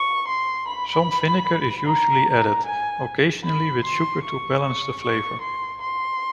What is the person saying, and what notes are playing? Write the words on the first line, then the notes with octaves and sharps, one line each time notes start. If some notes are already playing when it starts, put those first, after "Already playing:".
Some vinegar is usually added, occasionally with sugar to balance the flavor.
Already playing: C#6
C6
B5
A#5
G#5
B5
C6
C#6
C#6
C#6
C6
C6